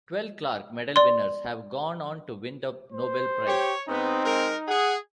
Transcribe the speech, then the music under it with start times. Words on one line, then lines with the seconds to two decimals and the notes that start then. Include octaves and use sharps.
Twelve Clark Medal winners have gone on to win the Nobel Prize.
0.96 D5 C6
2.92 C5
3.47 G4 C#5
3.88 G#2 B3 C4 D#4
4.24 G#3 A#4
4.68 G#4 F#5